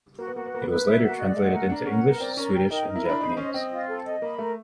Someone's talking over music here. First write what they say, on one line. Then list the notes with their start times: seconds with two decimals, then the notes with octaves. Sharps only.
It was later translated into English, Swedish and Japanese.
0.18 A#3 F#4
0.27 B3
0.35 A#3 F#4
0.46 B3
0.52 A#3 B4
0.63 B3
0.69 A#3 B4
0.82 B3 E5
0.91 A#3
0.99 B3 F#4
1.09 A#3
1.19 G#3 D5
1.32 G#3
1.36 A3 F#5
1.45 G#3
1.53 A3 A#4
1.69 D4 A#4
1.86 C#4 F#5
2.03 B3 A#4
2.20 C4 D5
2.36 C#4 A#4
2.54 G5
2.71 D#4 A#4
2.87 A#4
2.96 E4
3.04 B5
3.09 D4
3.20 D#4 C5
3.37 C#4 D#5
3.54 C4 D#5
3.71 F4
3.88 A4
4.05 D#5
4.22 A#3 B5
4.38 A3 A#4